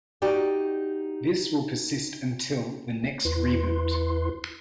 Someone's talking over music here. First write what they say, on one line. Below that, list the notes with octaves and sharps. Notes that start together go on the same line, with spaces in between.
This will persist until the next reboot.
D#4 F#4 G4 D5
E2 E4 B4 C6